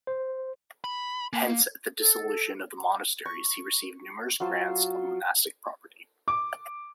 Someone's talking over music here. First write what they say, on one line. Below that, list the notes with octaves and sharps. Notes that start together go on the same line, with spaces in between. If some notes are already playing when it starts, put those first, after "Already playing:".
Hence at the Dissolution of the Monasteries he received numerous grants of monastic property.
C5
B5
A#3
A4
C#6
F#3 F4 C5 A5
D6